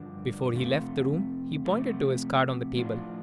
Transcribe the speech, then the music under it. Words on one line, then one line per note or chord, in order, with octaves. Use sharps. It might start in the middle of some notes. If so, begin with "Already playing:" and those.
Before he left the room he pointed to his card on the table.
Already playing: G2 D3 F3 D4
F2 C3 A3 F4
C3 F3 A3
A2 F3 D4 F4